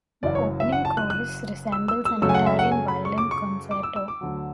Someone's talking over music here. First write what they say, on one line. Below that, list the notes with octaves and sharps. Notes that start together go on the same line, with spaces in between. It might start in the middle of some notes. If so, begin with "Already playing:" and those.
The opening chorus resembles an Italian violin concerto.
F#1 F#2 E3 D5
C#5
E5
F#5
A5
F#6
F#6
E6
E6
E6
F#2 C#3 F#3 A3 E6
G#5
F#5
E5
F#5
G#5
B5
C#6
D6
C#6
D6
E6
E6
D6
D2 D3 F#3